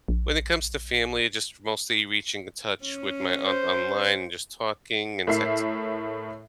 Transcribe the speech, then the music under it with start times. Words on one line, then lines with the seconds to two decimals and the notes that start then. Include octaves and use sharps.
When it comes to family, just mostly reaching to touch with my aunt online, and just talking and text
0.08 A#1
2.84 C#4
3.46 C5
5.27 A2 A#4 E5 C7